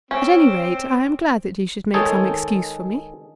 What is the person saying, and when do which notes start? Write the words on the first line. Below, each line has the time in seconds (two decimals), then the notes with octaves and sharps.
At any rate, I am glad that you should make some excuse for me.
0.11 C4 C#4 C5 D6
1.94 D#3 G#3 D#4 G#4 A4 C#5